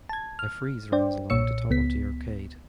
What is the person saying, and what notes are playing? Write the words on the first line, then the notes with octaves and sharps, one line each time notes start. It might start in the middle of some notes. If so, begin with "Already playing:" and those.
A frieze runs along the top of the arcade.
A5 G#6
F6
D4 C5 D5 G5
B1 A#2 C#5 E6 C#7
C#2 B3 B6